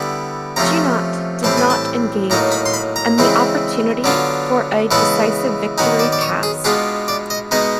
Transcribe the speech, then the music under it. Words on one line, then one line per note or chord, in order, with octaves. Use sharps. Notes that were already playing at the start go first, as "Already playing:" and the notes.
Junot did not engage, and the opportunity for a decisive victory passed.
Already playing: D3 G3 B3 E4
C3 F3 A3 C#4 A#5
A2 E3 G3 C4 A5
G#5
A5
A2 F#3 A#3 D#4 A#5
B5
C6
B5
A#5
C#3 E3 G#3 C4 E4
D3 F#3 B3 D4 F4
C#3 E3 G#3 B3 E4 A5
D#3 F#3 B3 D#4 G#5
D5
D5
C#5
G#4
B2 G#3 B3 D4 F4 G#4
D5
D#5
B2 G#3 B3 D#4 D#5